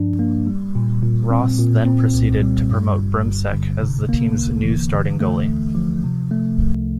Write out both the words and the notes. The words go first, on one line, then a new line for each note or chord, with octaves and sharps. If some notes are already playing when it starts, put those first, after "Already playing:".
Ross then proceeded to promote Brimsek as the team's new starting goalie.
Already playing: G2 F3 D4
A#3
G3
A#2
A#2
C4
A#2
C4
C2
G3
G2
G1
G1
D3
C3
A#3
C2
E3
D3
A3
D2
F3
C3
A3
C2